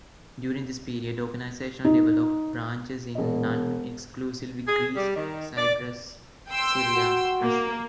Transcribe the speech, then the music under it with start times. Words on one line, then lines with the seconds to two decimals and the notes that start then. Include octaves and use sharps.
During this period, organization developed branches in non exclusively Greece, Cyprus, Syria, Russia.
1.85 D#4
3.15 E1 D#5
4.67 G#4
4.95 G3
5.15 D#3
5.56 D5
6.50 G5 C6 E6
6.95 F#4
7.41 A#3